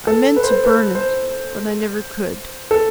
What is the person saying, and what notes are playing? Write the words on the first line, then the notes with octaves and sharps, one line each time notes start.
I meant--to burn it--but I never could.
A4
B4
C5
B4
B4
C5
A4